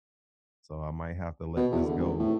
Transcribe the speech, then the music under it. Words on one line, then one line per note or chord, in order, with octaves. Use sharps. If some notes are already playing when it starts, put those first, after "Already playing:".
so I might have to let this go,"
B2
E2
D3
G#1
A2